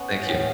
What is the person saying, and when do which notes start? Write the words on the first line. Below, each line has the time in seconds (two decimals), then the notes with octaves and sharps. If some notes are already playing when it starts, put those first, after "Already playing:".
Thank you.
Already playing: B3 C#4
0.10 E3
0.28 A2